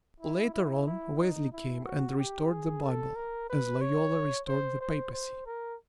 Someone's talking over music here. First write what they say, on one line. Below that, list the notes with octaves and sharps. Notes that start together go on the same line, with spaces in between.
Later on Wesley came and restored the Bible, as Loyola restored the papacy.
E4
E4
E4
D#4
E4
F#4
G4
G#4
A4
A#4
B4
C#5
C5
C5
C5
A#4